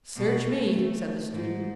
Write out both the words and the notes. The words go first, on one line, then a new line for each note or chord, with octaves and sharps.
"Search me!" said the student.
B2
A3
G#2